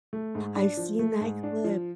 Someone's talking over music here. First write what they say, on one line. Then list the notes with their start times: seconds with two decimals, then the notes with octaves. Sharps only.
I've seen that clip.
0.13 A3
0.35 G#2
0.56 D4
0.77 F3
0.99 A3
1.20 G#2
1.43 D4
1.64 F3